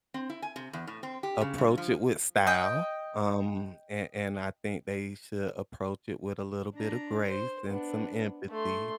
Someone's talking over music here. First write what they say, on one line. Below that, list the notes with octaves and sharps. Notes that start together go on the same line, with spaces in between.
approach it with style, um, and and I think they should approach it with a little bit of grace and some empathy.
C4
E4
G#5
C3
E2
A2
C4
G4
C#3
G2
F3
D#5 G5
D4 A#5
C5
B3 D4
A3 C6